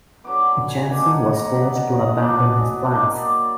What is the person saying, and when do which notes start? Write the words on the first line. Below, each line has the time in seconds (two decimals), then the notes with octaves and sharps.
Jensen was forced to abandon his plans.
0.24 D3 F#3 B3 D6
0.47 B5
0.68 G#5
0.90 D#3 A#3 D4 G#5
1.11 F#5
1.33 A#5
1.54 B2 F#3 B3 B5
1.76 A#5
1.98 D#5
2.19 B2 F#3 D4 D5
2.36 B4
2.52 G#4
2.84 D#3 F#3 A#3 D4
3.01 D#4
3.18 D5
3.33 B5